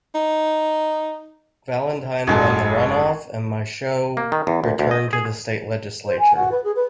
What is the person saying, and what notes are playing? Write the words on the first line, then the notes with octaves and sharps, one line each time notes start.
Valentine won the runoff, and Michaux returned to the state legislature.
D#4
F#1 G#2 G#3 F#4 G#4 A4
A#3
D#3
E2
D2
D2
D#5
G#4
C5
G#5
F#4
B4
G#4
B4